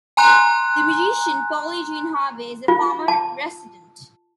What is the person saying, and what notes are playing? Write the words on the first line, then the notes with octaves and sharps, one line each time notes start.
The musician Polly Jean Harvey is a former resident.
G#5 A#5 C6 F#6
F4
A5